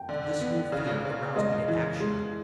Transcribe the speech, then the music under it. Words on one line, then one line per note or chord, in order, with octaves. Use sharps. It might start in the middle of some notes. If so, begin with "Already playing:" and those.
This new fear aroused me to action.
Already playing: G5
D3
B3
C#3
C#3
G#3 D#5
E3
G#3